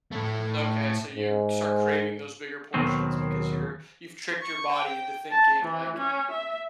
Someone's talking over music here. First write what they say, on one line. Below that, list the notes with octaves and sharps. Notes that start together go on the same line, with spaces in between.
Mm, okay, so you start craving those bigger portions because you're you've tricked your body into thinking, like,
A2 A3
G#2
D#2 B2 D#3 F#3 C4
C#6
G5
A5
E3
C#4
E5